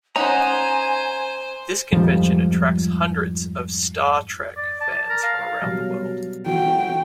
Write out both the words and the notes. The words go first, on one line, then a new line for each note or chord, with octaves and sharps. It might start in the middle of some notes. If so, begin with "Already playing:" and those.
This convention attracts hundreds of "Star Trek" fans from around the world.
C#4 D#4 C5 F#5 G#5 A#5
F2 G#2 F3 G3
D5
A5
A#4
F5
B2 F#3 G3
E3 F#4 G5